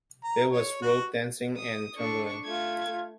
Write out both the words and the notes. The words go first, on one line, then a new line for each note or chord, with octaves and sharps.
There was rope-dancing and tumbling.
A#5
C#5
F#4
D#6
D4 A4 C#6
A3 F4 G#6